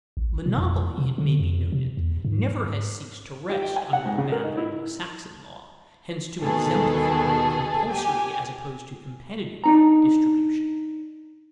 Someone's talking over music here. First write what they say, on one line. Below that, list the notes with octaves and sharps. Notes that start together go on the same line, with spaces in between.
Monopoly, it may be noted, never has ceased to rest under the ban of Anglo-Saxon law, hence to exemplify compulsory, as opposed to competitive, distribution.
A1
B2
F2
C3
D3
F2
C3
E2
G#2
G4
G5
G#5
F#5
G#2
C#3
A#4
D#4
E4
D#2 B2 D#3 G#4 A4
G4 G#5
D4 D#4 A#5